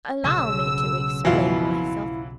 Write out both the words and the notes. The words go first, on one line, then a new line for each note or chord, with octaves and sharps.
"Allow me to explain myself."
B1 C#3 E6
F2 B2 E3 F#3 E4 F4